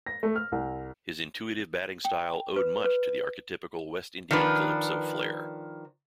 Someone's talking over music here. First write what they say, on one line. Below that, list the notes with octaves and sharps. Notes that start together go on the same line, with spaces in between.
His intuitive batting style owed much to the archetypical West Indian calypso flair.
A#6
A3
F6
C2
G5
B4
B4
D#3 F3 D4 B4